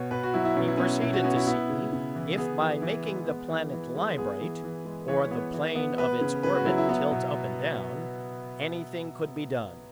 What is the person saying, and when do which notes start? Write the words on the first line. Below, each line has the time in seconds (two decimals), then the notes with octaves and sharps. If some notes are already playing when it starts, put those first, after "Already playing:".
He proceeded to see if by making the planet librate, or the plane of its orbit tilt up and down, anything could be done.
Already playing: B2 B3 C#5
0.11 B2 B4
0.23 F#4
0.34 F#3 E4
0.45 E4
0.56 B2 C#4
0.68 E4
0.77 B3 C#4
1.02 B2 E4
1.13 F#4
1.24 B3 C#4
1.36 E4
1.47 B3 E4
1.70 C#3
1.93 C#3
2.15 E3
2.37 B3 G#4
2.60 E3
2.82 E3
3.05 G#3
3.27 B3
3.50 E3
3.73 E3
3.95 G#3
4.17 B3 G#4
4.41 E3
4.64 E3
4.85 G#3
5.08 E3 C#5
5.31 B3
5.53 E3
5.75 B3
5.98 B3 B4
6.21 C#3
6.43 C#3 B4
6.55 F#4
6.66 F#3 E4
6.78 E4
6.88 B3 E4
7.11 B2